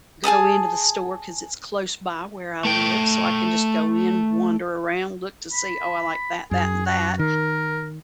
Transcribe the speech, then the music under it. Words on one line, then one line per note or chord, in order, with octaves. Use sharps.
go into the store 'cause it's close by where I live. So I can just go in, wander around, look to see, "Oh, I like that, that, and that."
G#4 G#5 A5 D#6
A3 G5
B5
F#2 G#4
F#4
D#3 A#4